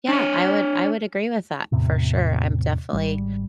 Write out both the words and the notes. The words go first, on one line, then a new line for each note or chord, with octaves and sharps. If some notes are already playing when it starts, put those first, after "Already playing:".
Yeah, I would I would agree with that, for sure, I'm definitely
D4 C#5
E2 A2 C3
G#1 G3